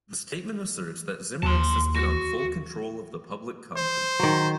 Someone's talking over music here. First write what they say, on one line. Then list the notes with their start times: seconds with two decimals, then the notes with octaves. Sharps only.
The statement asserts that Zimmer insisted on full-control of the public company.
1.43 D#2 A5 C6
1.95 F#4
3.77 C5
4.19 D#3 F#3